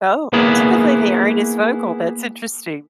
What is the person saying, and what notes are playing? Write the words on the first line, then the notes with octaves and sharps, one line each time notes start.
Oh, typically, they aren't as vocal, that's interesting.
A#3 B3 E4 G#4 B4